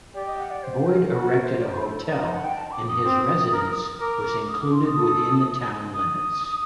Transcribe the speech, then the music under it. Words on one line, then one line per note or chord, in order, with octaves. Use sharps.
Boyd erected a hotel and his residence was included within the town limits.
G4 D5
D#5
F#5
D5
C5
A#4
F#4 A4
A#4
C5
D5
C5
A4
A4
D#4 D5
D#5
F#5
G5
A5
D6
D#6
C4
A#4
A#4 D6
D6
D#6
D6
C6
D#6
A4
D#6